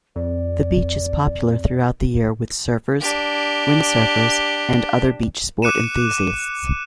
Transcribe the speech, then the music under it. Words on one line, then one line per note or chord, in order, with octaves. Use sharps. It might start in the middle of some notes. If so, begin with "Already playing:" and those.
The beach is popular throughout the year with surfers, windsurfers, and other beachsport enthusiasts.
F2 D5
D4 G4
D6 F#6 C#7 D#7 E7